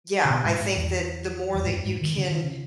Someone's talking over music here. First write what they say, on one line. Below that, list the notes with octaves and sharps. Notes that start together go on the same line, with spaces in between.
yeah, I think that the more that you can
C#3
B2
G#2
G#2
E2
E2
G#2
F#2
G#2
D#3
C#3
D#3
C#3